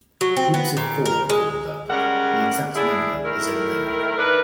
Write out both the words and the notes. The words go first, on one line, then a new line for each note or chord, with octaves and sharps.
Groups of four are called up; the exact number is unknown.
F#3
C4
B3
A#2
A#4
G#3
C#3 G3 G#3 A#4 F#5
D4 E4 G#4
A2 D#3 E4 A#4
D#3 D4 A#4 B4